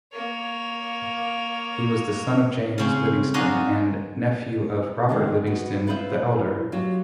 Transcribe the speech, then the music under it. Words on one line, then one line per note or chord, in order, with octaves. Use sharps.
He was the son of James Livingston and nephew of Robert Livingston the Elder.
A#3 C#5
C#3 C4 C#4
D4 D#4 F4 F#4 G#4 D#5
D3 D#3 G#3
B3 F#4
E4 F4 B4 C5 D#5 E5
F#3 F4 G4